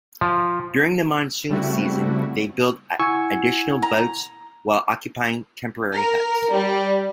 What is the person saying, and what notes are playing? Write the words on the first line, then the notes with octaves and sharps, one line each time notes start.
During the monsoon season, they build additional boats while occupying temporary huts.
F3
C#3 G3 A3 C4 E4 F#4
E4 F#5 G#5 C#6 E6 G#6
A#5
A#4
G3